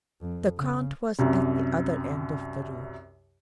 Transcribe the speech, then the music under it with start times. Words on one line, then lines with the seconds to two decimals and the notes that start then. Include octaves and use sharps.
The count was at the other end of the room.
0.21 F2
0.58 C#3
1.19 C2 F#2 C3